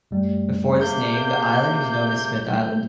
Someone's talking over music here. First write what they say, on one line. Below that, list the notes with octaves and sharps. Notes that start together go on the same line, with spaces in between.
Before this name, the island was known as Smith Island.
F#2 G3 A3
C3 A#3 G#4 A#4 G6